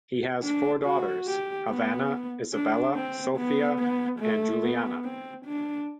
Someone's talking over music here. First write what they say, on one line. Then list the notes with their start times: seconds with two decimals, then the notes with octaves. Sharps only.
He has four daughters, Havana, Isabella, Sophia and Juliana.
0.43 D4
0.85 F#4
1.27 G4
1.69 B3
2.53 D4
2.95 C4
3.37 B3
3.79 B3
4.20 A3
4.63 B3
5.04 C4
5.46 D4